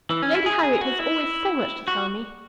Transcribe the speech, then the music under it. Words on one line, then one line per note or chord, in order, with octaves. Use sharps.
Lady Harriet has always so much to tell me.
E3
C#4
E4
G#4
G#4
F#4
E4
F#4